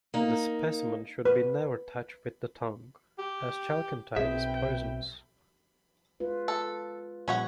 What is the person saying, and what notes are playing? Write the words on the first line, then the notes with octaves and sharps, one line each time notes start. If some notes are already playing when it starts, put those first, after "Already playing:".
The specimen should be never touched with the tongue, as chalcanthite is poisonous.
A#3 D#4
B4
G4
B1 C4 G#4 B4 E5 G5
G#3 F4 B4
A4
A#2 F3 G3 C#4 C#5 F#5